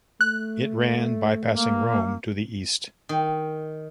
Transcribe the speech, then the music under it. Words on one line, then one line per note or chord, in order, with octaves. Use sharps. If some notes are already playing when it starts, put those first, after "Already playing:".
It ran bypassing Rome to the east.
A3 F#6
A#3
D#3